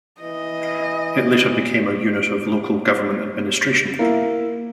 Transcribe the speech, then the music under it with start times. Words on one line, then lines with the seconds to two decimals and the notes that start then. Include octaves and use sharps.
It later became a unit of local government administration.
0.21 E3 D#5
3.99 A#3 E4